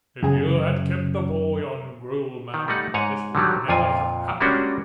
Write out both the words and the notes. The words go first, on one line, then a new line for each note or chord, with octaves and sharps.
If you had kept the boy on gruel, ma'am, this would never have happened.'
F#2 C#3 G#4
D#3
G3 A3 D#4 F#5
G#2 C#5 F#5 G#5
D3 D#3 F#3 G3
F2 A#2 F4 G#5
G3 G#3 A#3 C#4 D4 F#4